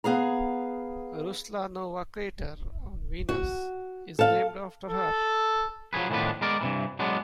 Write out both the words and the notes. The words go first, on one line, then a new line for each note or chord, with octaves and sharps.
Ruslanova crater on Venus is named after her.
B3 G#4 F5 A#5
F#4
A4 F5
A4
F3 F#3 B3 G#4 B4
A2 D#3 F3 B3 D4 B4
G#3 B3 A#4 D5
G2 C3 E3
F#3 G#3 B3 D4